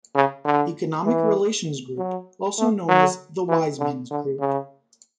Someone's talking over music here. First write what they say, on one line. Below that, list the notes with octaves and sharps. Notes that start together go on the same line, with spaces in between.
Economic Relations Group, also known as the "Wise Men's Group".
C#3
D3
E3
F#3
A3
F#3
E3
D3
D3
C#3